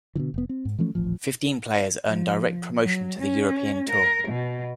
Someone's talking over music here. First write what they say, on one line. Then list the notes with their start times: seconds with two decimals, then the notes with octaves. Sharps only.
Fifteen players earn direct promotion to the European Tour.
0.15 B2 D3 E3
0.34 F1 B3
0.49 C4
0.65 G#2
0.79 E3 F3 A3 C#4
0.95 D#1 A1 F3
2.07 F3
2.82 F#3
3.19 C#4
3.89 A#4
4.28 B2